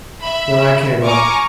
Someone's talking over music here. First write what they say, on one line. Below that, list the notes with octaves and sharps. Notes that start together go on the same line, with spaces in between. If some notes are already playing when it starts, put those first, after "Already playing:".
Then I came up.
E5 B5
G#5 A#5 C#6 D6 F6